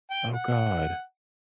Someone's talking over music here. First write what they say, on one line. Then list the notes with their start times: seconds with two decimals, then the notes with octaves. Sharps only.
Oh god.
0.10 G5
0.34 F#5